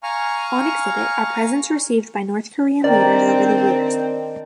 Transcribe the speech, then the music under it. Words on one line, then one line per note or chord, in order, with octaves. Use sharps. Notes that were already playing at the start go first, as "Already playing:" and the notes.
On exhibit are presents received by North Korean leaders over the years.
F5 G#5 A#5 C#6 F6
D#3 C4 D4 A#4 D5